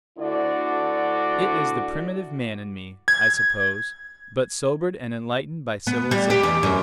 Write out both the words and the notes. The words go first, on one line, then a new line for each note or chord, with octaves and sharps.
It is the primitive man in me, I suppose, but sobered and enlightened by civilization.
D2 D3 E4 F#4 D5
G#6
B3
G3
G4
E2
F#2